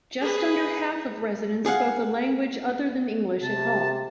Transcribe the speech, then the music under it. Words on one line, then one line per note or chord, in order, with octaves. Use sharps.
Just under half of residents spoke a language other than English at home.
G#4 B4
G#4 F5 F#5
C3 A5